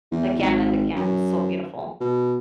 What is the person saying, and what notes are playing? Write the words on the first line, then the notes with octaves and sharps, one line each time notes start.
again and again. it was so beautiful.
E2
G#1
F#2
B2